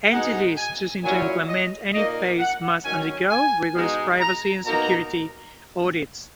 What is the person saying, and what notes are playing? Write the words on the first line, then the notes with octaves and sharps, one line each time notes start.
Entities choosing to implement any phase must undergo rigorous privacy and security audits.
B2 G#3 D#4 F#5
G#5
A#2 F#3 C#4 E4 G#5
D#5
A#2 A#3 D#4 D#5
F#5
D#3 F#3 C#4 G#5
G#5
B2 G#3 D#4
A#5
B2 A#3 D#4 A#5